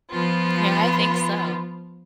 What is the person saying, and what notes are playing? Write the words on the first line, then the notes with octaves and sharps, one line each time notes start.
Yeah, I think so.
F3 B3 F4